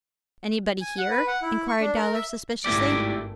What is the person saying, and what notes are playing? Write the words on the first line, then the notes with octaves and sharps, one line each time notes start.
'Anybody here?' inquired Dowler suspiciously.
G#5
F#5
B4
F#5
E4
C#6
D4
A#4
E5
G#1 G2 A3 E4 G4 D5